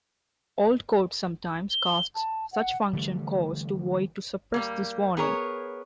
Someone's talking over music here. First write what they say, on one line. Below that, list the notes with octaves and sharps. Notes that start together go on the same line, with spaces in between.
Old code sometimes casts such function calls to void to suppress this warning.
G7
A5
F#5
D3 E3 G3 A3
G3 A#3
B3 G#4 A#4 C#5